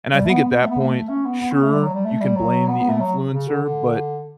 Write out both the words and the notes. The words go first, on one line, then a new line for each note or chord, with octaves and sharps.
And I think at that point, sure, you can blame the influencer, but,
G3
A3
B3
B3
A3
B3
A3
C#4
B3
B3
C#4
A3
G3
F#3
G3
A3
G3
F#3
B3
B3
A3
F#3
C#3
D3
D3